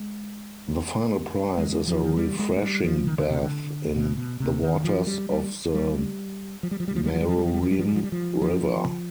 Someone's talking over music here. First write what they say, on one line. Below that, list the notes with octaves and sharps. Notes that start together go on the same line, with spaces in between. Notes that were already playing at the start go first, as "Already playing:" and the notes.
The final prize is a refreshing bath in the waters of the Maruim River.
Already playing: G#3
G#3
F3
D#3
F3
G3
G#3
G#3
G3
F3
D#3
D3
C3
D3
B2
B2
C3
D#3
F3
G3
G3
G3
F3
G3
F3
G3
F3
G3
F3
G3
F3
G3
F3
G3
F3
G3
F3
G3
F3
G3
F3
F3